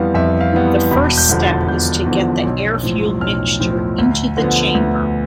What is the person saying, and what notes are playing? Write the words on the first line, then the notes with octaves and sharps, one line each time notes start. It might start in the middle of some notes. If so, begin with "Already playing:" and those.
The first step is to get the air-fuel mixture into the chamber.
Already playing: F2 E3 G3 B3 F5
F2 E5
F5
E3 G3 B3
E1 B5
G6
E2 D3 F3
A6
E1 G6
E2 D3 F3
B1
A2 F3
B1 F6
A2 F3
D2
D3 F3 B3
D2